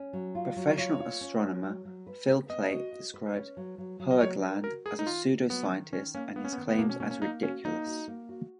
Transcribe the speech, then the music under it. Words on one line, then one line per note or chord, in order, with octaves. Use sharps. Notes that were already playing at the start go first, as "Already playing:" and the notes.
Professional astronomer Phil Plait described Hoagland as a pseudoscientist and his claims as ridiculous.
Already playing: C#4
F#3
F4
F#3
F4 C#5
F4
C#4
F#3
F#3
F#3
B4
B3
B3 D#5
F#4
F#4
B4
C#4
F#3
F#3
F#3
D#5
F#3 C#5
A#4
F#4 A#4
G#4 A#4
D#4
D#3 F4
A#3
F#3 B3
D#3
D#3 C#4
A#3 C#4
A#3 B3
C#4
B3
D#3
B3
B2 A#3
C#4
A#3 C#4
C#4
A#3 D#4
C#4 F#4
A#3 D#4
F#4
A#3
F#4